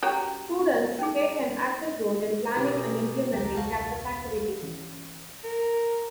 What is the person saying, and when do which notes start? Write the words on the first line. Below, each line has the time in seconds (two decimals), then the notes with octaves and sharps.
Students take an active role in planning and implementing campus activities.
0.03 C#4 F#4 G4 C#5 A#5
0.99 C#4 D#4 G#4
2.56 B2 G4 A#4 G#5
3.33 E1 C#2 F#3 G4 A#4
3.55 F#4 F5 A5
4.62 E3 C#4
5.44 A#4